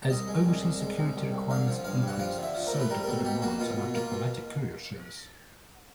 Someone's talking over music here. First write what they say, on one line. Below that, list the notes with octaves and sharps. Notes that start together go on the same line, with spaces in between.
As overseas security requirements increased, so did the demands on our Diplomatic Courier Service.
C2 D#5
G#3
C2
C2
G#3
C2
C2
C2
D3 F5
F3
G2 F5
G2
F#5
F3 F5
D3
E5
F3
A#4
A3
B4
G3 A#4
A#4
B2 A4
B2 G4
A#3 F#4
B2 F4
B2
A#3 F4
B2